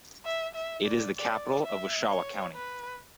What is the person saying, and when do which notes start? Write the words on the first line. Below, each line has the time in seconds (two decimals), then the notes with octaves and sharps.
It is the capital of Wschowa County.
0.25 E5
0.55 E5
0.86 D5
1.17 D5
1.63 E5
2.08 C#5
2.55 B4